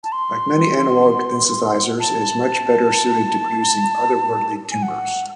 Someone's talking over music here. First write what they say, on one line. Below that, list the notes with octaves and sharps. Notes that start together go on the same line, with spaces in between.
Like many analog synthesizers, it was much better-suited to producing "otherworldly" timbres.
A5
C6
A5
G#5
F#5